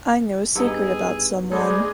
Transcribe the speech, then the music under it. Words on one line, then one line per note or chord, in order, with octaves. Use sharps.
I know a secret about someone.
G2 B3 D#4 G#4 E6
G#3 A4 C5 D5 B5 D6